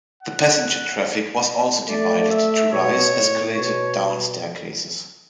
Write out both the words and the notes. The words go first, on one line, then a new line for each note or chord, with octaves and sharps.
The passenger traffic was also divided, to rise - escalator, down - staircases.
F#5
A3 D5
E5
B2 C#5
A2
B2 C#5